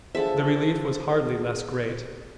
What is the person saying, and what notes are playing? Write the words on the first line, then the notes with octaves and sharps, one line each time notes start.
The relief was hardly less great.
D3 F3 G#4 A4 C5 E5